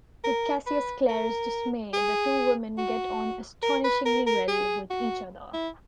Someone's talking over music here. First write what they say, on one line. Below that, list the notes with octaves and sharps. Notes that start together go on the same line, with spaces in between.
To Cassius Clare's dismay, the two women get on astonishingly well with each other.
A#4
B4
A#4
G#4
F#4
A#4
B4
A#4
A#4
G#4
F#4
E4